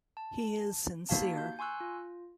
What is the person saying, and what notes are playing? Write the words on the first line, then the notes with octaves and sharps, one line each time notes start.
He is sincere.
A5
A#3 D#4 F#4 G4 F5 A5
G6
G#5 C6 C#6 E6 F#6
F4